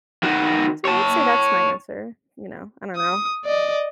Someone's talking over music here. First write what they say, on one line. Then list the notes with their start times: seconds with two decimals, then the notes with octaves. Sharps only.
so, yeah, I'd say that's my answer, you know? I don't know,
0.23 D#3 F#4
0.85 C#5 A5
2.97 D#6
3.45 D5 D#5